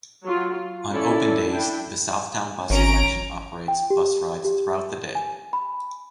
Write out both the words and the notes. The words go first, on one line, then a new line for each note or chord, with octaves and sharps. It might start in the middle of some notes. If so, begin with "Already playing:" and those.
On open days the Southdown Bus collection operates bus rides throughout the day.
F#3 F4
F4
C#4 E4 A4 D5
D4 E4 G5
G#1 C#4 A#5 D7
G5
G4
G4
G#5
B5